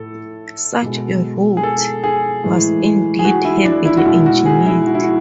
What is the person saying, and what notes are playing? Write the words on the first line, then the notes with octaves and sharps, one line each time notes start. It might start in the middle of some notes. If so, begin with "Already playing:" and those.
Such a route was indeed heavily engineered.
Already playing: A2 A4
B2 G#3
G#4
A4
G#4
A2 E3 G#3
G#4
F#4
E4
D4
E4
F#4
B2 G#3 E4
F#4
G#4
E4
F#4
E4
F#4